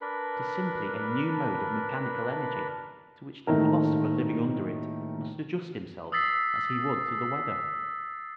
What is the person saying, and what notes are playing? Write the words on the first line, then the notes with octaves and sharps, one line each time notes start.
It is simply a new mode of mechanical energy to which the philosopher living under it must adjust himself as he would to the weather.
D4 A#4 B4 B5
D#1 A2 D#3 A3 A#4
D#6 E6 A6 B6 C7